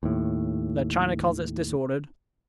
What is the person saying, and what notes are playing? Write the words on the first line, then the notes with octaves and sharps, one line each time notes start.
Their china closets disordered.
D#2 A2